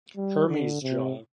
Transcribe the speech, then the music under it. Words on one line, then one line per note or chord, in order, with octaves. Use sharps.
Hermes Jaw.
G3
D3
C3